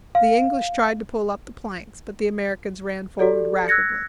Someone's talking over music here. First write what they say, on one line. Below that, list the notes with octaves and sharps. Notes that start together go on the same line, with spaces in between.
The English tried to pull up the planks, but the Americans ran forward rapidly.
F5
F#4 G4 A4 D5
E6 F#6 G#6 A#6 C#7